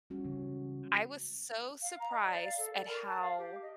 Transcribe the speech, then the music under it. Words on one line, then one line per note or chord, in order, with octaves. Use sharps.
I was so surprised at how
G3 C#4 F#4
C#3 E3 G#3
F5
A#5
D#5
D5
F5
A4
D5
A#4
A5
F5
G4
D#5